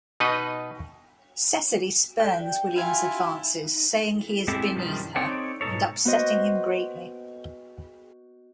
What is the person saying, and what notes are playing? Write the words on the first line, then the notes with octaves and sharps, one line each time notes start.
Cecily spurns William's advances, saying he is "beneath her", and upsetting him greatly.
B2 D#4 B4 D#5
A4 D5 G5
E4 F4 F5 G#5
G#3 C4 E4 G4 A4
F#2 B2 D#3 F3 G3 D4
C4 D#4 A4 C#5 D5
G#2 B2 D#4 A4 C#5
B3 F#4 C5 D#5